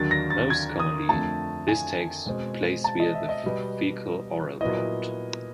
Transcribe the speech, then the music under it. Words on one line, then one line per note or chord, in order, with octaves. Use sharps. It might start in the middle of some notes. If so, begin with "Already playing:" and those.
Most commonly, this takes place via the faecal-oral route.
Already playing: D#2 D3 F#3 A6
A#6
A6
G#6
D#6
F2 D3 F3 A3 A5
G#5
B2 G#3 C4
A5
D#5
E5
D#5
B2 G3 B3
A#2 F#3 B3 E4 D#5